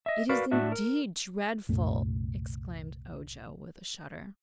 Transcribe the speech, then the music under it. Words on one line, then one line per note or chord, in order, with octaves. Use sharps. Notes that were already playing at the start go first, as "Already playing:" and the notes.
"It is, indeed, dreadful!" exclaimed Ojo, with a shudder.
D#5 E5
F#4 A#4 B4 D5 F5
A2 D4 F#4 E5
A#4
C2 F#2 A#2 A3